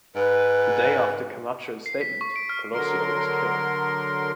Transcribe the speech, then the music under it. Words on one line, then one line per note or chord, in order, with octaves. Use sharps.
The day after Camacho's statement, Colosio was killed.
G#2 B4
C7
B6
C#6
D7
F6
D3 F#3 A#4 C6